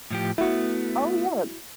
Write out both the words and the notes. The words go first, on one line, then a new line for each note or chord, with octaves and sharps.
Oh, yeah.
A2 F3 G4
A3 B3 E4 F#4